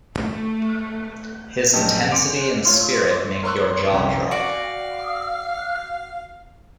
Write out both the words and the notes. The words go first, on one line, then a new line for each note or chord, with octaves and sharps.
His intensity and spirit make your jaw drop.
A3
A#1 F#2 A3 G4 D#5 A5
G#5 C6 D6 C#7 D7 F7
A3 F4 C#5 C6
C6
A#4 C5 C6 C#6 E6 F#6
C2 F2 C#4 G5 A#5
F#4 D5 F5